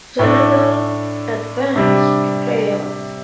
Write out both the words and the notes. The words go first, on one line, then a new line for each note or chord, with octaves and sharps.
Senegal advance to playoff.
A2 A3 D4
C3 G3 D4